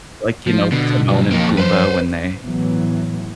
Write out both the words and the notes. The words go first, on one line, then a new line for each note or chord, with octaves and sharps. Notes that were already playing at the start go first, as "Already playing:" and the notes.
like, you know, Timon and Pumbaa when they
F3
B2 D3
D2 F#3
F2 A#3 D#4
B4 C5
A1 E3 F#3 B3